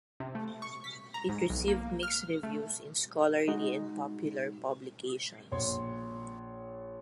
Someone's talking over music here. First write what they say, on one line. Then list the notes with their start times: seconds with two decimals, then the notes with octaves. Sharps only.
It received mixed reviews in scholarly and popular publications.
0.20 C3
0.35 A3
0.62 C#6
0.84 B6
1.14 A#5
1.29 G#2
1.50 B1
1.68 A#3
2.03 F6
2.43 A3
3.48 G#3 D#4 F#4
5.52 A#1 C#5 C6